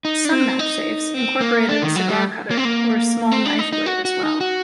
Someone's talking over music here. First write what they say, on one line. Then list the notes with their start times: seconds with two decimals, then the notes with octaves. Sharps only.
Some match safes incorporated a cigar cutter or a small knife blade as well.
0.05 D#4
0.25 D4
0.32 C4
0.59 D#4
1.14 C4
1.41 A#3
1.69 D4
1.82 D#3
1.96 F#3
2.09 G3
2.51 A#3
2.58 C4
2.65 A#3
3.32 C4
3.45 D4
3.59 D#4
3.73 D#4
3.86 F#4
4.05 F#4
4.23 D#4
4.41 F#4